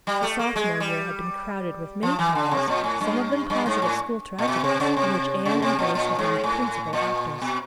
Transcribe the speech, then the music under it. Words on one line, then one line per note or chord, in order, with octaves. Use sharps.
The sophomore year had been crowded with many trials, some of them positive school tragedies, in which Anne and Grace had been the principal actors.
G3
A3
A#3
G#3
G3
F3
E3
D3
C3
A#2
A2
G2
G2
G#2
A2
A#2
B2
C3
C#3
C3
C#3
C3
A#2
A#2
G#2
A2
A#2
B2